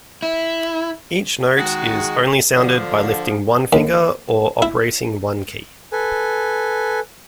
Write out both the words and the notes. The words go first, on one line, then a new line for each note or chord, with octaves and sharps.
Each note is only sounded by lifting one finger or operating one key.
E4
D#3 G#3 F#4
D3 F3
D#2
E4
A4 B4 G#5